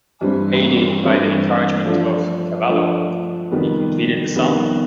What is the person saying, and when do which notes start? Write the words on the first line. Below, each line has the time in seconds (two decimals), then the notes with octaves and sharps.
Aided by the encouragement of Cavallo, he completed the song.
0.21 G2 E3 G3 C4
1.04 G2 E3 G3 C4
1.86 F3 A3 D4 F4
2.69 F3 A3 D4 F4
3.51 F2 C3 D#3 G3 B3
4.34 F2 C3 D#3 G3 B3